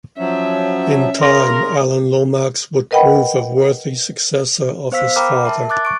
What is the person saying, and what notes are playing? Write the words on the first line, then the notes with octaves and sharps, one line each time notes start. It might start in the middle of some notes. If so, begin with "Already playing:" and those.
In time, Alan Lomax would prove a worthy successor of his father.
F3 F#3 C#4 E5
C#3 A#4 C6 A#6
A#4 B4 D#5 F#5 G5 B5
B3 C5 F5 E6 B6
A#4 G5 A#5 B5 D6 F6
A#4 E5 A5
D6 F#6 A6
C#6 D7